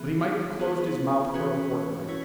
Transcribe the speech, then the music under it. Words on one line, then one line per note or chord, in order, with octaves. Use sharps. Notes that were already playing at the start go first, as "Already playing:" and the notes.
But he might have closed his mouth for a fortnight.
Already playing: E3 B3 G#4
B3 G#4 B4
E3 C#4 F#4 B4
C#4 E4 C#5